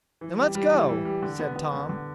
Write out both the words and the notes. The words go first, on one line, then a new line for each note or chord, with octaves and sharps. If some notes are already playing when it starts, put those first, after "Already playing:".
"Then let's go," said Tom.
E3
G3
G3
E3
E3
G3
D3
B3
B3
D3
D3